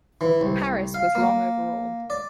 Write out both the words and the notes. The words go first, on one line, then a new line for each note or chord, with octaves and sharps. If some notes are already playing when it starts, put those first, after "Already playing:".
"Paris" was long overall.
E3
C2
F5
A#3
D5